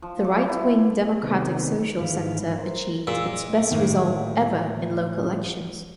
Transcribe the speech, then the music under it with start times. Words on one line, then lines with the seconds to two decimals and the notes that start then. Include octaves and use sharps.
The right-wing Democratic Social Center achieved its best result ever in local elections.
0.02 F3
0.24 D6
0.49 E4
1.22 C3 D#3 G#3 A#3 B3
2.00 G#2 D#3 E3 B4 F5
2.58 A#4 C5
3.07 A#2 G#3 E6
3.71 D2 A2 D#3 A#3